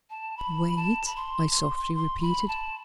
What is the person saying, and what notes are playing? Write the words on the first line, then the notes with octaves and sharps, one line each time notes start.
"Wait?" I softly repeated.
A5
B5
A5
B5
C6
C6
B5
A5